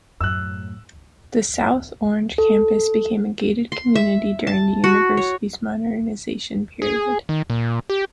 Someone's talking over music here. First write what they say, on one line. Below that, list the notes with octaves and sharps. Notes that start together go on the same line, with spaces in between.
The South Orange campus became a gated community during the University's Modernization Period.
F#2 A2 E6 F#6
A4
C6
E5
A5
F#4
C#5
G#4
D#3
A#2
G4